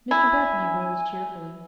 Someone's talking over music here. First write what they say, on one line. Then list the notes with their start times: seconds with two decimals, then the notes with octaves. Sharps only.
Mr Bethany rose cheerfully.
0.11 E4 G#5